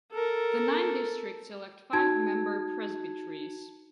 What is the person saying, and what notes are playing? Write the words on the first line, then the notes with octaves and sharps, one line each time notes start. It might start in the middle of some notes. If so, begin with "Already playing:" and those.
The nine districts elect five member presbyteries.
A4 A#4
D#4 F#4 A5 G#6